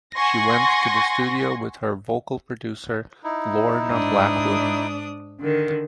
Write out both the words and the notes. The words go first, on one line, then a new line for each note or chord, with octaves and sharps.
She went to the studio with her vocal producer Lorna Blackwood.
F#5 G#5 C6 C#6 A#6
D#4 E4
G#2 D4 D#6
D3 D#3